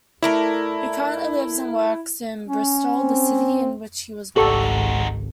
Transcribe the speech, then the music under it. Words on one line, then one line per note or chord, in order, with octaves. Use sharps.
He currently lives and works in Bristol, the city in which he was born.
A3 E4 A#4 D5
C#4
C4
G#1 C#2 D#4 F#4 G4 A4 C#6